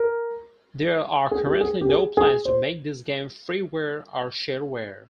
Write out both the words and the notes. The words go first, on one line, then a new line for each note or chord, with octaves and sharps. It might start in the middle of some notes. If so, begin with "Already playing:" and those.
There are currently no plans to make this game freeware or shareware.
Already playing: A#4
G#4
G4
G#4
G4
G#4
G#4
C5